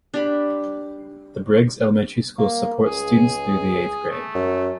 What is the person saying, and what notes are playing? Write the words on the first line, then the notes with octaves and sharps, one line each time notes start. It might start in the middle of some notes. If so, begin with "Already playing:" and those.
The Briggs Elementary School supports students through the eighth grade.
D4 G4 B5
A#3
C#2 G#4
A3
F#2